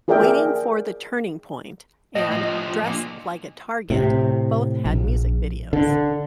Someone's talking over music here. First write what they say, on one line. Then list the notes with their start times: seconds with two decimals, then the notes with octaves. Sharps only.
"Waiting for the Turning Point" and "Dress Like a Target" both had music videos.
0.08 F4 G#4 A#4 D5 E5 G5
2.15 A2 D#5
2.32 A2 F3
2.84 A#2 D4
3.90 A2 C3
4.85 A#1
5.73 D3